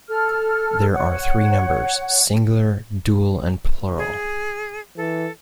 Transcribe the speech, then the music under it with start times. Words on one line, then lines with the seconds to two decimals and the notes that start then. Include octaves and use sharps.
There are three numbers, singular, dual and plural.
0.08 A4 F6
0.94 C#5 F#5
3.98 G#4
4.97 E3 A4